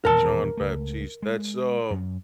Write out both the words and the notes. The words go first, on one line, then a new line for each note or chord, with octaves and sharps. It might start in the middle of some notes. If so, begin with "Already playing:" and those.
Jon Batiste, that's, um
D#1 E2 B2 A#4 A5
C#2 A3
G#3
F#2